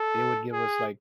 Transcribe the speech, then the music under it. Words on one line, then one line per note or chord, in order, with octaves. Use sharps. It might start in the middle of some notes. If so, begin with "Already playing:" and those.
they would give us, like,
Already playing: A4
G#4